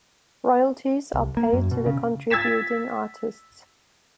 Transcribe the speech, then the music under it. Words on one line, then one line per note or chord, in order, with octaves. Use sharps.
Royalties are paid to the contributing artists.
C2
A#3
F#2
B2
C#3
E6 G#6 A6 B6 E7